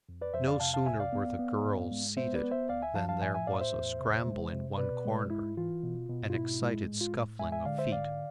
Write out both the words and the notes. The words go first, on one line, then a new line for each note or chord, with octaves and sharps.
No sooner were the girls seated than there was a scramble in one corner, an excited scuffling of feet.
F2
B4 D5
F2 C5 E5
D5 F5
C3 F5 A5
F5 A5
C2 E5 G#5
D5 F5
B3
B3
G#2
G#3
B3 C5 E5
B4 D5
B3
C5 E5
D2 D5 F5
E5 G#5
F3 F5 A5
F5 A5
A2 E5 G#5
E5 G#5
A2 D5 F5
C5 E5
E2
C3
G#3
C3
B2 B4 D5
G#3
G#2 E4
E3 F4
B2
B2
F4
G#2 E4
G#3
A2
F4
A2
G#3 E5 G#5
E5 G#5
D3 D5 F5
C5 E5
G#2 D5 F5